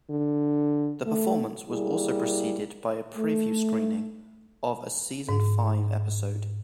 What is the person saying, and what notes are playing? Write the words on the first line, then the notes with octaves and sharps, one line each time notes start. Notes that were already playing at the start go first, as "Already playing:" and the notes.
The performance was also preceded by a preview screening of a season five episode.
D3
A3
G3 A#3 E4 G#4
A3
G#2